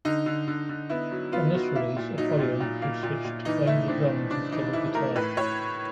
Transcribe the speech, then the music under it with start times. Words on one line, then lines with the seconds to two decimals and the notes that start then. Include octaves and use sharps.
On this release Apollyon would switch to playing the Drums instead of guitar.
0.05 D3 D#4
0.26 D3
0.48 D3
0.69 D3
0.90 B3 E4
1.11 F#3
1.32 B3 F4
1.54 F#3 F#4
1.75 A#3 E4
1.97 A#2
2.18 F#3 D#4
2.39 A#2
2.60 A#2
2.82 A#3
3.03 A#2
3.25 A#2
3.45 E3 D#4
3.66 A3 E4
3.88 C4 D4
4.09 E3
4.31 C#3 D4
4.52 E3 D#4
4.73 E3 E4
4.95 A3 A#4
5.16 A2 B4
5.37 A2 C#5